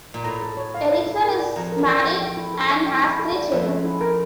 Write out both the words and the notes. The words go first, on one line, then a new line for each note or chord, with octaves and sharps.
Eriksen is married and has three children.
A#2
A2 A#5
A4
C#5
F5
F5
E4
A#4
D5
F2 A#5
A#4
E2
D5
F2
G5
G5
E4
A4
E5
G5
E4
A4
D5
F2 E5
C#4
E4
A#4